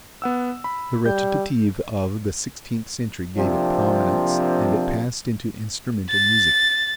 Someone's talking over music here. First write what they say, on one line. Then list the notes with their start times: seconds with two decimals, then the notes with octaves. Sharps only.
The recitative of the sixteenth century gave it prominence, and it passed into instrumental music.
0.22 B3 F#5 E6
0.64 B5
1.06 G3 G6
3.37 C3 F3 A#3 C4 D4
6.10 A6